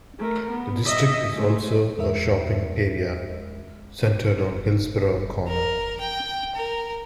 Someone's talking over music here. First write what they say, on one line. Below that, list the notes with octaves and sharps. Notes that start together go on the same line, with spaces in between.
The district is also a shopping area, centred on Hillsborough Corner.
A3 A#4
B3
D#5 E5
G#3 A3
E2 G#3 A#4 E5
A#4
G5
A#4